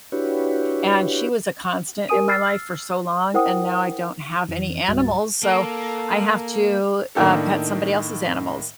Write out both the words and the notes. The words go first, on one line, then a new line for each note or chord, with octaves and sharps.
and she was a constant in my life for so long, and now I don't have any animals, so I have to, uh, pet somebody else's animals.
D4 E4 F#4 G4 B4 C#5
G4 A#4 G#5 D#6 D#7
E6 F6 A6 C7
E4 A#4 C5 F#5 G5 D#6
F2 E3
C#2 G#2 G3 F#4 E5 A6
A#3 A4
A2 D#3 A#3 D4 A4